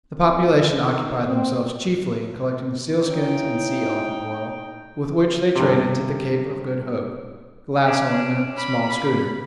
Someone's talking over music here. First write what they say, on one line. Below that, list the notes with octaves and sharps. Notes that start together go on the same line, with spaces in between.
The population occupied themselves chiefly in collecting sealskins and sea elephant oil, with which they traded to the Cape of Good Hope, Glass owning a small schooner.
F2
D#3
C4
C#4 D#4 E4 G5
G2 C3
C#4 D4
B5